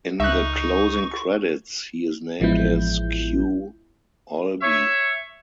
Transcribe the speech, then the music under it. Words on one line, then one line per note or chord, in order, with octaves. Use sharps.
In the closing credits, he is named as "Q Algy".
C#2 D#4 E5 C#6 F#6
A1 F3 G#3 B3 E4 G6
C#5 E5